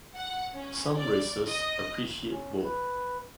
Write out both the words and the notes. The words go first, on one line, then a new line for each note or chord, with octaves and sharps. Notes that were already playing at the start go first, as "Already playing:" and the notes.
Some races appreciate both.
F#5
C#4
D5
D#5
C#4
B4